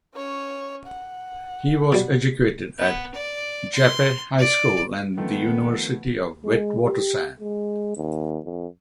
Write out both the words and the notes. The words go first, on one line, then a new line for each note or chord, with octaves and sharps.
He was educated at Jeppe High School and the University of the Witwatersrand.
C#4 C#5
F#5
B2 G3
B3
D5
C6
D5
D#3 F3 A3 B3
G#3
G4
G#3
D#2
F2